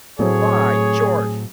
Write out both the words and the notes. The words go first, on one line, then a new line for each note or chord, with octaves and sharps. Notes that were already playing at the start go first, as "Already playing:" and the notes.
By George!
A2 F#3 A3 C4 G#4 C#5